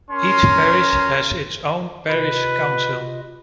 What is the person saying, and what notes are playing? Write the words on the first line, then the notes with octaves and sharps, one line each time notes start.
Each parish has its own parish council.
C#4 A#4 C6
C3 F4 B4 D#5